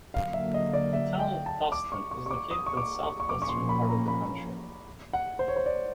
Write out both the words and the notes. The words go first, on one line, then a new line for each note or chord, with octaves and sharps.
The Town of Tusten is located in southwestern part of the county.
D3 F#3 A#3 F5
E5
D#5
D5
E5
G5
A5
D6
C#6
C#6
C#6
D6
D#6
C#6
D6
C#6
C#6
A#2 F3 A#3 C#4 D6
C#6
C6
B5
A#5
B5
F#5
C5
C#5
C5
D5